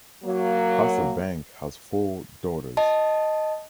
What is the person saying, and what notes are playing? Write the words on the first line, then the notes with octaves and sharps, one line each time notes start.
Hasselbaink has four daughters.
F#3 A#3
D#5 A5